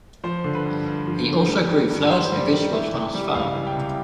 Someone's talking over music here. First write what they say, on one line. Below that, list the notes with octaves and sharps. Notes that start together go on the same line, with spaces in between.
He also grew flowers and vegetables on his farm.
F3 C5
D3
B4
G2
G2
F3
D3
G3
D#3
G2
G2 C5
G3
D5
D#3
E3 E5
C3
G3
C#2 F5
E3
G5
C3